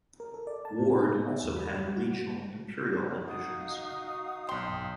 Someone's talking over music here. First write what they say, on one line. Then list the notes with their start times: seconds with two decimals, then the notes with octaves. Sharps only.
Ward also had regional imperial ambitions.
0.20 A#4
0.34 A4
0.47 D5
0.65 A5
0.78 A2
0.99 D#4
1.14 B3
1.29 E5
1.44 E2
1.56 B5
1.73 G3
1.97 F#4
3.27 D#4 F#4 F5 D#6
4.49 B1 G5 C6